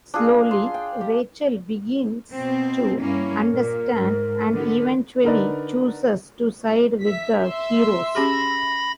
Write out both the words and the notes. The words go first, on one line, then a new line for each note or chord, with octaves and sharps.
Slowly, Rachel begins to understand and eventually chooses to side with the heroes.
D4 F4 G#4
C6
G5
G4
B2 C4
G2 A#3 C#4 E4
A#2 A#4
G#2
D3 B3
D3 D#4 A#4 B4 D5
E5 B6
E5 C6 E6
C#4 G4 G#4 B5 A#6